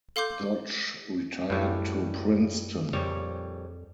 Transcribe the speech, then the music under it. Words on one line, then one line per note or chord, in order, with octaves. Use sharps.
Dodge retired to Princeton.
A4 F5 C6 D6 G6
F#2 A2 F#3 G3
A#1 F2 G3 C#5